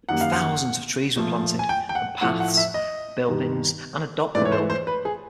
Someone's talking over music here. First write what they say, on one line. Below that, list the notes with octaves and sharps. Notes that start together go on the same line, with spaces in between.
Thousands of trees were planted, and paths, buildings, and a dock were built.
F#2 D#3 G3 A#3 F#5
F5
F#5
A#2 F3 A3
G#5
G5
G5
F#5
A2 F3 A3 F#5
F#5
E5
D#5
G2 D#3 G3
G#2 E3 A3 D5
C#5
C5
C5
B4
G#4